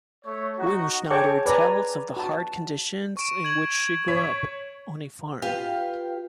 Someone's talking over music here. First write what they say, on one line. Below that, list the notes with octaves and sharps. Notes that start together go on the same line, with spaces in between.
Wimschneider tells of the hard conditions in which she grew up, on a farm.
A3 C#5
D#4 F#4
G#4 C#5 G5 A5 C#6 D6
B4 D5 G#5 A#5
F#4 A5
C#6 D7 E7
G#6 F#7
C#5 B6
F4 G4 B4 F5 G5